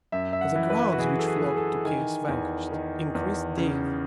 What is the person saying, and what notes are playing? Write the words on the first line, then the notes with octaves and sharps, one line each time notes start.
The crowds which flocked to "Chaos Vanquished" increased daily.
F#2 E5
E5
F#5
E3
B4
F#4
E3 G#4
A4
G#4
E3 G#4
A4
D#3 G#5
E2
D#3
E2
C#3